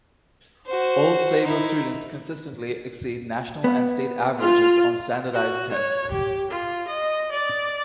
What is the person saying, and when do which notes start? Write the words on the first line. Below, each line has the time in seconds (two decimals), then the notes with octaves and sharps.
Old Saybrook students consistently exceed national and state averages on standardized tests.
0.67 F#4 C5
1.44 D#4 E4
3.64 B3
4.39 F4
5.34 F#4
5.71 C#5
6.11 G4
6.50 F4
6.88 D#5
7.31 D5